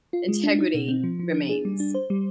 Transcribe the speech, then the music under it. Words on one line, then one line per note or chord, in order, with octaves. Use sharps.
integrity remains.
F4
G#3
D4
D#4
B2
C4
F3
F3
D4
G#4
G3
D4
C5
G3